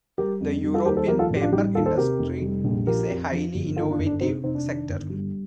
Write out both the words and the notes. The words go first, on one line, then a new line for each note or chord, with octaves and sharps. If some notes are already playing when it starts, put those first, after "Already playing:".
The European paper industry is a highly innovative sector.
G3 G4 A#4
F2
G3
F4 A4
D#2 G4 A#4
A4 C5
F3 G4 A#4
F4 A4
A1
G4
D4 F4
G3 D#4 G4
D#2 F4 A4
A4 C5
C3 G4 A#4
F1
G3
A#1
F3 G4 A#4
F2
F3
G1
D#3 F4 A4
D4 F4
G1
D4
C3 C4 D#4
F1 C4 D#4
D4
D#3
G1
G3